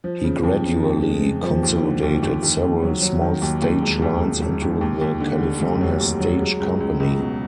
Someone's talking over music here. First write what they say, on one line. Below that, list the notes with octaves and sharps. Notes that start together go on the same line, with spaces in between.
He gradually consolidated several small stage lines into the California Stage Company.
F3
C#3
F2
C#3
F2
G#3
G#3
F3
D#2
D3
D#2
D#2
D#2
D#2
F#3
F#3
D#3
D#2
D#2
E1
D#2
D#2
E1
D#2
D#2
D#2
D3
F1
F1
F#3
D#2
F#3
G#3
C#2
C#2
C#2
B2